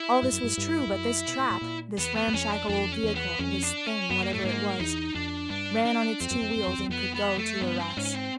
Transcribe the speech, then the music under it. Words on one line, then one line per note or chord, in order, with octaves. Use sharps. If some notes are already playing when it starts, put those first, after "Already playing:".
All this was true; but this trap, this ramshackle old vehicle, this thing, whatever it was, ran on its two wheels and could go to Arras.
Already playing: E4
G2
F#2
G2
G2
F2
F#2
B2
A#2
A2
A#2
E2 B3
B3
F#2
F2 C#4
D4
F2 D4
C#4
E2
B3
F2 C#4
D4
C#4
F#2 B3
A#3
A2 A3
G#2 A#3
E2 D#4
F2 D4
G2 D4
D4
F2 C4
F#2
F2
F#2
F2
E2
F2 B3
B3
A3
G2 B3
C4
G#2 C#4
C4